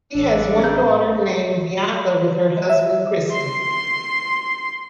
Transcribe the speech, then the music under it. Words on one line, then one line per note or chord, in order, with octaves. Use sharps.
She has one daughter named Bianca with her husband, Christie.
A1 D4 A4
C#4 A#4 A#5 B5 G6
E5
C6 C7